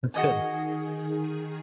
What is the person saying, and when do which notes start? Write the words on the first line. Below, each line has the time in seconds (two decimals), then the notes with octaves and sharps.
That's good.
0.14 D#3 F#4 G#4 D#5 G#5